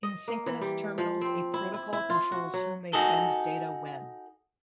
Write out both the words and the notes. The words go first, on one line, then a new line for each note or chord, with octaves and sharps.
In synchronous terminals a protocol controls who may send data when.
D#5
A#3
E3
G3
F3
C4
E4
E4
E4
F4
F#4
F#3
D#4 F#4 G#4 A4